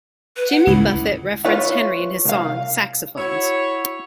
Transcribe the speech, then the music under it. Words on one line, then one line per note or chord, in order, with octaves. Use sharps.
Jimmy Buffett referenced Henry in his song "Saxophones".
B4
F#5
C#2 A2 E4
F4 B4 C#5 E5 F5
C2 F5
E4 F#4 C#5